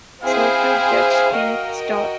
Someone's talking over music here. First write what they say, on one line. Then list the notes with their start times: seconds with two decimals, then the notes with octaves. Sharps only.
Circuit judge Kenneth Starr.
0.23 C4 E4 G#4 C5 F5
1.35 F#4 A#4 D#5 G5